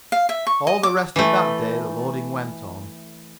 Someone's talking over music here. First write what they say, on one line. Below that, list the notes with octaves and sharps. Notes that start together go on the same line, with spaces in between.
All the rest of that day the loading went on.
F5
E5
C#6
D#5
D6
E3 A3